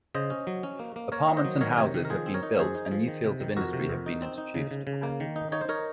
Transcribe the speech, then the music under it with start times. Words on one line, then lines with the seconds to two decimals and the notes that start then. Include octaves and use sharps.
Apartments and houses have been built and new fields of industry has been introduced.
0.15 C#3 C5 D#5
0.30 C#4
0.47 F#3
0.63 C#4
0.79 A#3
0.96 A#3
1.12 A#3 A#4 C#5
1.28 D#3
1.37 C5 D#5
1.45 F#3
1.61 D#3 A#4 C#5
1.77 C3 A#4 C#5
1.94 D#3
2.05 A#4
2.10 F3 G#4 C5
2.26 C4
2.34 A#4 C#5
2.43 D#4
2.59 F#2 G#4 C5
2.75 D#4
2.91 F3
3.08 D#3
3.24 C3
3.40 D#3
3.57 F2 F#4 A#4
3.73 C3
3.89 F2
4.06 D#4
4.22 C4
4.38 D#4
4.54 C#3
4.71 C#3
4.87 C#3
5.03 A#3
5.20 D#3
5.36 D#4
5.52 D#4 C#5
5.61 C5
5.69 D#4 A#4 C#5